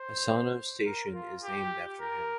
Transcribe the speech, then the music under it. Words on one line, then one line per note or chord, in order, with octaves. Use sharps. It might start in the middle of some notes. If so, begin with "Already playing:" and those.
Asano Station is named after him.
Already playing: C5
A#4
F4
G4
A#4